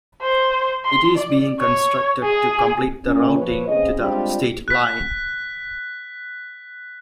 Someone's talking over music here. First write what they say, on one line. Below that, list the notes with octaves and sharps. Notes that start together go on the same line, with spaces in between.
It is being constructed to complete the routing to the state line.
C5
C6
D5
C#5
G#4
A#2 C#4
F3 B4 C#5
C#3 C4 G#4 D#5
G3 G#3 C4 D4 F4
F#6 B6